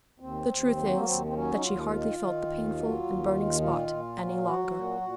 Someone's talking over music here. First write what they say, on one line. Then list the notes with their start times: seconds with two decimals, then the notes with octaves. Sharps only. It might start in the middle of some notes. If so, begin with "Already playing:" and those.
The truth is, that she hardly felt the painful and burning spot any longer.
0.20 D#2 C4
0.49 D#2
0.77 F#3
0.97 A#3
1.05 D#2 C4
1.25 C4
1.33 F#3 C#4
1.54 D#4
1.62 D#2 F4
1.90 D#3
2.19 D#3
2.46 D#2
2.75 F#3
3.03 D#2
3.32 D#3
3.60 A#2 F4
3.88 A#2
4.17 F#3
4.44 F#3 F#4
4.73 A#2
5.01 A#2